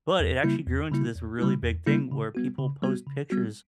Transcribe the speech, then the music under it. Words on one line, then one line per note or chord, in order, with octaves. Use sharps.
but, it actually grew into this really big thing where people post pictures
E2
C#3 G3 A#3 E4
E2
C#3 G3 A#3 E4
E2
C#3 G3 A#3 E4
E2
C#3 G3 A#3 E4
C#3
G3 B3 F#4
C#3
G3 B3 F#4
C#3
G3 B3 F#4